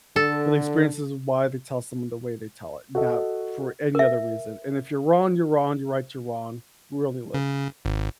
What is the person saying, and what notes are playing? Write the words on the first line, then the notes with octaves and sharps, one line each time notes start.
but the experiences of why they tell someone the way they tell it, not for any other reason. And if you're wrong, you're wrong, you're right, you're wrong, we only live.
D3 A4
F#4 A4 D#5
A#4 E5
C#3
G#1